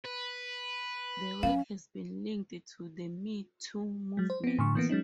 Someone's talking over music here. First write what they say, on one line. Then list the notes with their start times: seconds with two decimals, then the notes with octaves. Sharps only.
The work has been linked to the Me Too movement.
0.05 B4
1.43 F#3 C#4 F5
4.17 F#3 G#3
4.30 C5
4.44 B3 C4
4.59 A2 D3 C#6
4.75 E3 A#3 B3
4.89 F#3 G#3 C#4 D#4